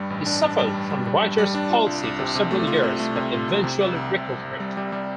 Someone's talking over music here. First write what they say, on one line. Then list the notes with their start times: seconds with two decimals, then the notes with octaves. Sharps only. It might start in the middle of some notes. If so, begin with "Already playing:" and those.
He suffered from writers' palsy for several years, but eventually recovered.
Already playing: G2 G3
0.10 A1
0.26 D4
0.42 D4
0.59 G3
0.74 G2
0.91 G3
1.06 G3
1.23 G2
1.38 G3
1.55 D4
1.70 F4
1.86 C2
2.03 C2
2.19 C3
2.35 C3
2.51 A3
2.67 F4
2.83 C3
3.00 A3
3.16 C3
3.32 F4
3.48 C2
3.64 C3
3.81 C2
3.96 C2
4.13 C2
4.29 C2
4.45 C2
4.60 G3
4.77 G3
4.92 G3